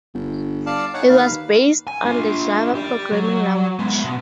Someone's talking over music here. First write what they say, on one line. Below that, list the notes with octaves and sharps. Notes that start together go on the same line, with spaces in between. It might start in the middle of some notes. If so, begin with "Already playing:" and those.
It was based on the Java programming language.
G1
D5 F5 A5
D#4 C#5 F#5
D#2 B4 F5
G#5
D4 F4
G4 D5
F#3
G#3 B3
B2